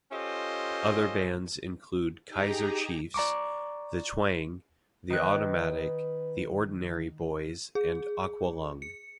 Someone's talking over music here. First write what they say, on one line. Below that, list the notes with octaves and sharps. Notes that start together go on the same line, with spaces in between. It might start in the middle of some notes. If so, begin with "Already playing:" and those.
Other bands include Kaiser Chiefs, The Twang, The Automatic, The Ordinary Boys and Aqualung.
C#4 F4 G4 A4 C5 D#5
D#4 G4 G#4 A#5
D5 A#5 C#6 D6
D#3 B4 F#6
G#4
C#7